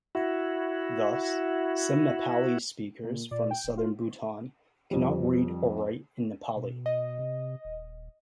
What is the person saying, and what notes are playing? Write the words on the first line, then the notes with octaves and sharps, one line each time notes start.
Thus, some Nepali speakers from southern Bhutan can not read or write in Nepali.
E4 F#4
A#2
A#2 D5
G5
D1
F4
F2 G3
B2
D#5
C3
D#1